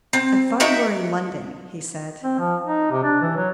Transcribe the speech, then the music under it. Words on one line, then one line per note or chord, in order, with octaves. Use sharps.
"I thought you were in London?" he said.
C4
D#4 F#4 E5 G5
C4
F3
D#4
C3
D4
E3
F#3